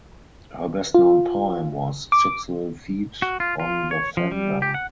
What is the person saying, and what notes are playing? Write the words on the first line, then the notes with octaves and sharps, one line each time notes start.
Her best known poem was "Six Little Feet on the Fender".
F4
D6
F#4
F4
F4
C#5
F3
G3
G4
F#5